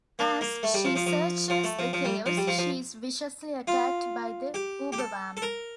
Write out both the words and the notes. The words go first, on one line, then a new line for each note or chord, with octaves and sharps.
As she searches the caves, she's viciously attacked by the Ubervamp.
A#3
A#3
A3
G3
F3
F3
F3
F3
A3
F3
F3
G3
F3
G3
F3
F3
F4
G4
G4
A4
A4
A#4